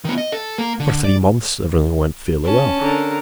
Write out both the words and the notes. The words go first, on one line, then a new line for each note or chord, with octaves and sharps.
For three months everything went fairly well.
D#3 B3
D#5
A4
A#3
D3
D5
C#4 A5
D3 A#4